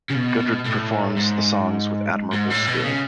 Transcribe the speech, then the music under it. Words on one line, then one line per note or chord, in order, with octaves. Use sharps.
Gudrid performs the songs with admirable skill.
C#3
B2
A2
G#2
G#2
A2
B2
C#3